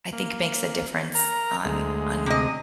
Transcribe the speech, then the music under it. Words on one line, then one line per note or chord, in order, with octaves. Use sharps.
I think, makes a difference on on
A#3
A#4 A#5
D2 G#3
C3 D#5